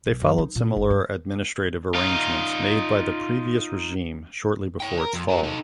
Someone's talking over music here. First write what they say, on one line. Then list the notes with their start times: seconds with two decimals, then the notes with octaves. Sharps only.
They followed similar administrative arrangements made by the previous regime shortly before its fall.
0.07 B1
0.22 F#2
0.38 D#4
0.55 A#2
0.76 G1
0.90 G2
1.94 D#4 F4
4.80 C#5 G5
5.00 A#4
5.13 F2
5.29 F#4 A#4
5.43 D#4 A4